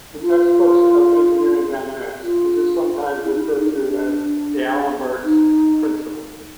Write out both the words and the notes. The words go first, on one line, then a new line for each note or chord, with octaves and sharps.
In textbooks of engineering dynamics this is sometimes referred to as "d'Alembert's principle".
F4
F4
E4
D#4
E4
D#4
D4
D#4